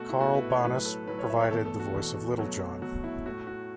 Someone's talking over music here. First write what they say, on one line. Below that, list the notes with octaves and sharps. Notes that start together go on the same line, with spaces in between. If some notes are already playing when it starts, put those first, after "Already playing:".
Carl Banas provided the voice of Little John.
Already playing: B2 A3 F#4 A4
E4
B2 A3 F#4
B4
C#5
A2 F#3 A3 B4
A4
A2 F#3 A3 B4
C#5
E5
C#5
E2 B2 A3 A4
A4
F#4
E2 B2 A3
B2 F#3 A3
B2 F#3 A3 F#4
E4
A2 A3 F#4
F#4